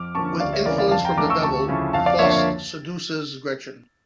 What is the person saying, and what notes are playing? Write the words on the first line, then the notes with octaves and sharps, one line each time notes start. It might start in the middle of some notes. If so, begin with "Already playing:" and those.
With influence from the devil, Faust seduces Gretchen.
Already playing: F2 D6 F6
D3 F3 A#3 C#4 A5 C#6
D2 D5 F5
C#5 E5
C#3 E3 A#4 D5
D5 F5
F2 F5 A5
G5 A#5
C#3 E3 A3 D4 A#5 D6
C#6 E6
D2 A5 C#6
C#3 F3 A3 E4
F2 F5 A5
D5 F5
D3 F3 A#3 C#5 E5
C#5